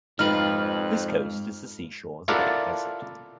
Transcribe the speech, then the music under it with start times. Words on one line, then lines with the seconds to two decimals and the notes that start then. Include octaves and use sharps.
This coast is the seashore of the Great Desert.
0.19 F2 G#2 D#4 F4 G4 B4 F6
2.28 E4 F4 A4 A#4 D5 F#5